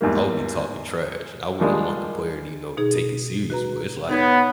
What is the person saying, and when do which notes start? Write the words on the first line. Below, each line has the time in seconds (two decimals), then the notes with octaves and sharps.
I would be talking trash, and I wouldn't want the player to, you know, take it seriously, but it's, like,
0.01 E2 G#2 G3 A#3
1.60 D#3 F3 G3 G#3 A#3 D4
2.77 B2 D#4 G#4
3.50 F#4 B4 A#5
4.09 B3 D#4 C#5 G#6